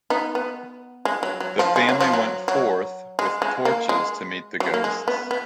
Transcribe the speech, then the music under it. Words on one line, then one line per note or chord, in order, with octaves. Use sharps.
The family went forth with torches to meet the ghosts.
B3 D#4
B3
G#3
F#3
F#3
F3
G#3
F#3
F3
F#3
F#3
G#3
G#3
A#3
G#3
F#3
A#3
G#3
B3
B3